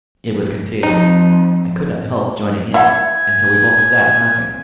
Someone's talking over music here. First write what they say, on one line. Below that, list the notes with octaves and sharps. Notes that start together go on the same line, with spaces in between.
It was contagious; I could not help joining in, and so we both sat laughing.
F2 D#4
E4 E5 F#5 G#5